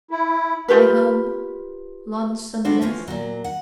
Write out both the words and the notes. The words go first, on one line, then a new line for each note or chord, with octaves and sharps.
My home, lonesomeness!
E4
F4 G4 A#4 B4
G3 B3 D4 F#4 A4 C5
B2 E3 F3 C#4
A#2 F#3
F#5